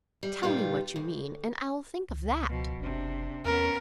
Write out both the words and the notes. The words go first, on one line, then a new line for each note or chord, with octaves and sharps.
"Tell me what you mean, and I'll think of that."
G3
G2 A#2 D#3 G3 F4 G4
D2
C#2
B2 F3
F#1 C3 D4
E2 B3 C#4 A#4